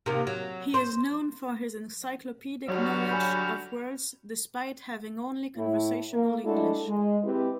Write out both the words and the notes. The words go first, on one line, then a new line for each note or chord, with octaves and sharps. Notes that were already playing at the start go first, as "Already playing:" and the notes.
He is known for his encyclopedic knowledge of words despite having only conversational English.
C3 D#3 A#3
F#3
C5
D3 F#3 G3 F#4 F6
G#5 B5 G6
A2 E4
A#3
G#3 A3 D4 E4 F#4 A4
G#3
C4 E4 G4 B4